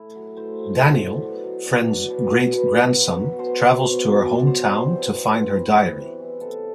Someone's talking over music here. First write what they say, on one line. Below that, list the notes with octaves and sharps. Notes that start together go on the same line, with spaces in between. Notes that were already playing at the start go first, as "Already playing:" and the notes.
Daniel, Fran's great-grandson, travels to her home town to find her diary.
Already playing: A2 E4
F#3
A2 C5
F#3
A2 D5
F#3
B2
F#3
B2 D5
F#3
B2
F#3
B2 B4
F#3
B2
F#3
B2 C5
F#3
B2
F#3
B2 D5
F#3 C5
C3 C5
E3
C3
E3
C3 B4
E3
C3
E3
C3 A4